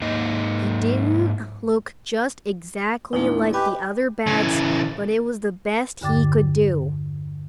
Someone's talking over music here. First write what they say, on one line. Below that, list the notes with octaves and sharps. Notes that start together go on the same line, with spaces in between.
He didn't look just exactly like the other bags but it was the best he could do.
G#2 A#3 D#4 D#5
E2 A#2 E3 A3 D4 D#4
G4 B4 D#5 G#5
C#3 E3
E2 G2 D3 G5 D6 A6